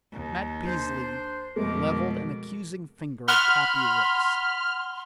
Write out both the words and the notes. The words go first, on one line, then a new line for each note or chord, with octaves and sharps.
Matt Peasley leveled an accusing finger at Cappy Ricks.
D#2
D4 C5
F2 B2 G#3 A3 A#4 D6
F#5 B5 C6 F6